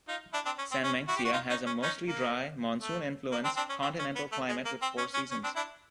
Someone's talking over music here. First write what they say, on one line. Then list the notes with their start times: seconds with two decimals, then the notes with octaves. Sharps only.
Sanmenxia has a mostly dry, monsoon-influenced continental climate with four seasons.
0.08 D#4 F4
0.33 D4 E4
0.45 C4 D4
0.58 C#4
0.71 C4
0.83 C#4
1.08 E4 F#4
1.16 G4
1.25 F#4
1.33 D#4 F4
1.50 C#4 D#4
1.66 C#4
1.82 C#4 D#4
2.08 A#3
2.82 A3
3.32 A#3
3.44 C4 D4
3.57 C4 D4
3.69 C#4
3.82 C4
3.99 C#4
4.16 B3
4.32 A3
4.49 G#3
4.65 A#3
4.82 C4
4.98 C#4
5.14 C#4
5.31 C#4
5.44 C4 D4
5.56 D4 E4